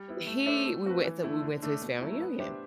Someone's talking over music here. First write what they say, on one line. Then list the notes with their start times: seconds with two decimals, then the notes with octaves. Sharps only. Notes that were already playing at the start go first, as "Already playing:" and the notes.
he we went to we went to his family reunion.
Already playing: G3
0.08 B3 E4
0.27 A3
0.46 D4 A4 C5 E5
0.65 A3
0.86 C4 F#4 B4
1.05 E3
1.23 A3 E4
1.42 D3
1.62 A3 D4 A4
1.82 B2
2.00 F#3 A3 E4
2.20 B3
2.39 D4 G4 C5 E5